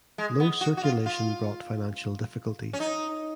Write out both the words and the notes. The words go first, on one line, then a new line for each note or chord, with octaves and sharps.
Low circulation brought financial difficulties.
G#3
B3
F#4
F#4
F4
F4
C#4
D#4